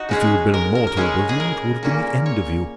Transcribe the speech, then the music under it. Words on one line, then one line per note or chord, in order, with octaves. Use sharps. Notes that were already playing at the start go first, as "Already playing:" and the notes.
"If you had been a mortal, William, it would have been the end of you."
Already playing: D#4 F#4
C#3 G#3 C#4 G#4
A#4
A#4
A#4
C#3 G#3 C#4 G#4
G#4
A#4
A#2 A#3 C#4
C#5